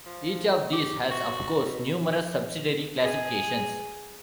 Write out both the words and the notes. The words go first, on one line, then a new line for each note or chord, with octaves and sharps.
Each of these has of course numerous subsidiary classifications.
F3
G4
F#4
B2
G#4